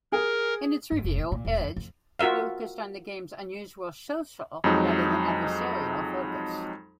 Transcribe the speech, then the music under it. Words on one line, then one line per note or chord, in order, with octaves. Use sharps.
In its review, "Edge" focused on the game's unusual social, rather than adversarial, focus.
G#4 A#4
G1
F1
A#2
A#2
E1
F2
F2
F4 F#4 A#4 E5 F5
F2 F#3 G#3 D#4